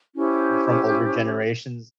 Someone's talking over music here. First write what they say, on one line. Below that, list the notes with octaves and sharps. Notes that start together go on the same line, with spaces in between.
from older generations,
C#4 E4 G4 C5